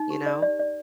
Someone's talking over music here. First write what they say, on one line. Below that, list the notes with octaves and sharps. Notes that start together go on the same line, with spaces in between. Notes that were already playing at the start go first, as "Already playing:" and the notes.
You know?
Already playing: D#4
G4
D5
D5
D5